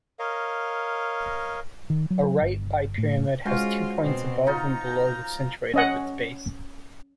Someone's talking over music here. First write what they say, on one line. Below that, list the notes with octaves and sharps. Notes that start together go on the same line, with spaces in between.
A right bipyramid has two points above and below the centroid of its base.
A#4 C#5 D#5 F5
D#3
F#3
G1
A2
G#3 C#4 F4 F#4 C5
B2 C4
D#4 F4 A#5 G6
C#4 D#5 F#5